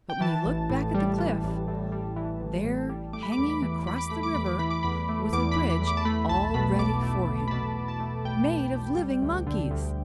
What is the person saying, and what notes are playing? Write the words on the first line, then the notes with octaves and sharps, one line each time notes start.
But when he looked back at the cliff, there, hanging across the river, was a bridge all ready for him--made of living monkeys!
G5
E3 A5
A1
A2
G3
E3
A1
A2
G3
E3
A1
A2
G3
A3 D6
B5
D6
E2
B5
E3
E2 B5
D6
A3 B5
D6
E2 B5
D6
E3 B5
D6
E2 B5
A3
E2 D6
E3 B5
B5
E2
D6
A5
A3 B5
B1 A5
B2 B5
B1 D6
A3
B1
B5
B2 A5
B1
A5
A3
B1 G5
B2
B1
G3
D2
D3
D2